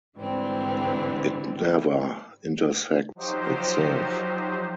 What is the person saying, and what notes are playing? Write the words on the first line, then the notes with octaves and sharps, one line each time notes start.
It never intersects itself.
G#2 D3 E3 G3 C4
F3 F#3 D#4 G4 C5